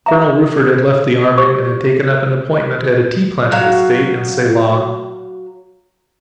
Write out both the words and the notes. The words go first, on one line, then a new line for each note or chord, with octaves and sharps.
Colonel Rufford had left the army and had taken up an appointment at a tea-planting estate in Ceylon.
E5 A#5
G4 C5 C#6 D6 E6
F#3 F#4 F5